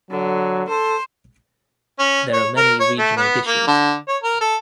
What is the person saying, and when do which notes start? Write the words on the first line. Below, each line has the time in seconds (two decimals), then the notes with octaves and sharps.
There are many regional dishes.
0.11 D3 F#3
0.69 A4 C5
1.99 C#4
2.33 C#5
2.57 A#4
2.80 C#5
2.99 A3
3.17 B3
3.47 A#3
3.67 D3
4.08 C#5
4.23 A#4
4.41 A4